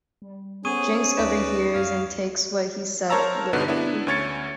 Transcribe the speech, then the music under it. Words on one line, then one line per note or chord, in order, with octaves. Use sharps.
Jinx overhears and takes what he said literally.
G3
B3 C#4 G#4 A4 C5 C#6 D#6 D#7
D2 D#4 B4 D5 A#6 E7
F#2 F5 G#6
A#4 C5 C#5 A5 A#5 E6
G2 B2 D3 B3 D4 D#4
B3 D4 E4
D2 C#4 C#5 G#6 A6 C#7